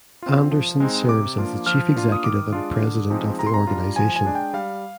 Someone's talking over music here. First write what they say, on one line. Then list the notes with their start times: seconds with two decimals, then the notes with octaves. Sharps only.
Anderson serves as the Chief Executive and President of the organization.
0.22 C4 F4
0.51 F3
0.80 G#3 C4 D#4
1.09 C3 D6
1.38 F3 A#3 D4 F4
1.66 F3 F6
1.95 A#3 D4 F4
2.12 D#6
2.24 D#3 D6
2.53 G#3 D4 F4
2.81 D3
3.10 F3 G#3 C4 D#4
3.39 C3 A#5
3.47 C6
3.54 A#5
3.67 G3 D4 F4
3.96 F3 G#5
4.16 G#5
4.25 G#3 D4
4.35 G5
4.54 G3 F5